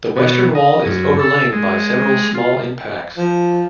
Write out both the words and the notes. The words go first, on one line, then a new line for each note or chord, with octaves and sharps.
The western wall is overlain by several small impacts.
B2
D#5
F#2
A4
G#3
G#3
F4
F3